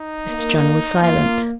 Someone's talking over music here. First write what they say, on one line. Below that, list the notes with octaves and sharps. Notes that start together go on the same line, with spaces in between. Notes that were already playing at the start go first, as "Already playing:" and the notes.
Mr. John was silent.
Already playing: D#4
A#3
A#3 F4